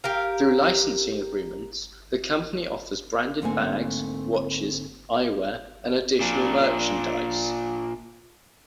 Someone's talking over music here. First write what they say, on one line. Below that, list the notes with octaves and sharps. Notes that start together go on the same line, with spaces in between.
Through licensing agreements, the company offers branded bags, watches, eyewear and additional merchandise.
G4 A#4 F5
D2 G#2 A3 A#3 C4 G#5
A#2 D4